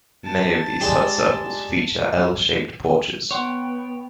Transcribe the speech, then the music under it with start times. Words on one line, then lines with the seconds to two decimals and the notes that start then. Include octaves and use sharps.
Many of these hut circles feature L-shaped porches.
0.24 A5
0.81 G#3 D4 G4
3.31 B3 C#5 F#5 G5 C6